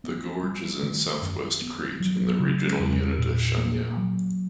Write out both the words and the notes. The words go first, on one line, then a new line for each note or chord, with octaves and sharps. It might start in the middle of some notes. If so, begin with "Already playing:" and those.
The gorge is in southwest Crete in the regional unit of Chania.
B3
G3
D#3
F#2
B3
F#3
C#3
E2
A#2
A#3
F#3